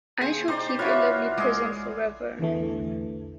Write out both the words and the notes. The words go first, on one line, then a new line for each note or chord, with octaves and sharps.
I shall keep your lovely present forever.
D#2 G#4 C5
D#4 G4 C5 D5
E3 F4 F#4 C#5 E5
G#3 G#4 D6
E2 D3 E3 A3